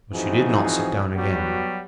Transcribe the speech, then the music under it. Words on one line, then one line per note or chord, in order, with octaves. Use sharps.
But she did not sit down again.
E3 F3 C4 D#4 F#4 G#4
F#3 G3 B3 F#4 G4